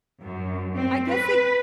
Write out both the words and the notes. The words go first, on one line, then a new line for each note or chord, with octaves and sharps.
I guess it
F#2
C4
B4